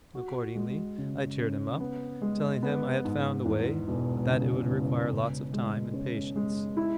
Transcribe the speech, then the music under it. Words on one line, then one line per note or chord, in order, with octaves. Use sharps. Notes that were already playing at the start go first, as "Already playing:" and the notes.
Accordingly, I cheered him up, telling him I had found a way, but that it would require lots of time and patience.
F#4
G#3
C#3
C#4
B3
G#3
B3
G#2
E2
E1
C#3
C#3
C#3
G#3
C#4
G#3
E4